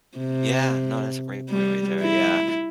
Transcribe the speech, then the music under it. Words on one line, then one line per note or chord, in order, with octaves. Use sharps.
Yeah. No, that's a great point right there, yeah.
C3
G3
E4